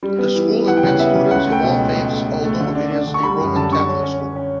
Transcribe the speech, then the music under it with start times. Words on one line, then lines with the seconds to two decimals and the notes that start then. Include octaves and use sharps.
The school admits students of all faiths although it is a Roman Catholic school.
0.03 G3
0.19 B3
0.35 E3
0.51 B3
0.66 E3 F#5
0.77 G5
0.83 C#3 F#5
0.99 B3 E5
1.15 C#3
1.31 C#2 F#5
1.47 A3
1.52 G5
1.63 B2
1.79 C#2
1.96 C#2
2.11 A3
2.28 C#2
2.44 A3
2.60 D3
2.75 D4
2.92 D4
3.07 D3
3.14 C#6
3.23 G3 B5
3.40 F#2
3.56 D3 A5
3.72 D3 C#6
3.88 C#4
4.04 C#4
4.20 C#4
4.36 C#4